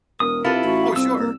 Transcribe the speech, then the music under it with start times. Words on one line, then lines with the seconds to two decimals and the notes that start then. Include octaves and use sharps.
Oh, sure.
0.20 E1 A#4 D#6
0.45 C3 E4 F4 A4 B4
0.64 A1 F#4
0.96 C2 C4 E6
1.18 A#3